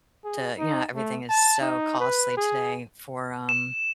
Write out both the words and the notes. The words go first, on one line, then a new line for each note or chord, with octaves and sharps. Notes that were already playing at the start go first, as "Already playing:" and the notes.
to you know, everything is so costly today for, um,
G#4
D#4
A3
A5
D#4
B4
G#4
E7